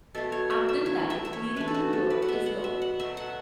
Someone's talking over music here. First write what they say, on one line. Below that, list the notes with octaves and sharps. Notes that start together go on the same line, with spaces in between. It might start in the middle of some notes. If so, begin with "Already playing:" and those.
Upton Dyke, leading to the Bure, is long.
B2 A3 A4
C#5
E5
E5
E3 A3 C#5
E5
E5
C#5
E3 A3 B4
A4
F#4
A4
B4
F#5
B2 B3 E5
F#5
E5
F#5
B2 F#3 A3 E5
F#5